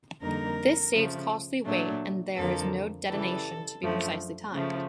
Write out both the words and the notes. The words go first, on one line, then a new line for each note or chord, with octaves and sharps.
This saves costly weight and there is no detonation to be precisely timed.
F2 D3 G3 A#3 D#4 A#4
C#3 F3 A3
A#2 F#3 A3 D4
F2 D3 F3 A#3 A4
C#3 E3 G3 A4
F#2 D3 F3 A3
C#3 F3 A3